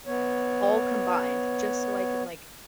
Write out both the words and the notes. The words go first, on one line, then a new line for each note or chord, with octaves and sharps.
all combined, just so I can, like,
B3 C#5